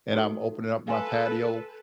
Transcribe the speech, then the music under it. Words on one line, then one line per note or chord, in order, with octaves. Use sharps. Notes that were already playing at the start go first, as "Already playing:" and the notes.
and I'm opening up my patio,
D#4 F#4 A4
A4 B4 F5 G#5 C6